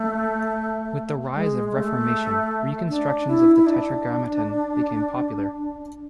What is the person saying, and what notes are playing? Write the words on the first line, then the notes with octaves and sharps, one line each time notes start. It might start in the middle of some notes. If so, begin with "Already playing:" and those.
With the rise of the Reformation, reconstructions of the Tetragrammaton became popular.
Already playing: A3
G#3
A3
D4
E4
E4
D4